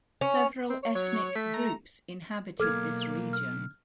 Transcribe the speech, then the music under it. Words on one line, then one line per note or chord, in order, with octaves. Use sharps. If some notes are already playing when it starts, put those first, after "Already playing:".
Several ethnic groups inhabited this region.
C#4
C4
C#5
F#3 C#5
A3 B6
A#5
B1 A#3 A4 D6 F6 G#6
F6